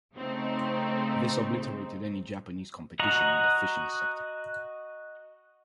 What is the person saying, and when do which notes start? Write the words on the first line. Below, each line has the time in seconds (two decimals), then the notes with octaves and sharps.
This obliterated any Japanese competition in the fishing sector.
0.15 C#3 A3 C4 D#4
2.99 F#4 D#5 F#5 A#5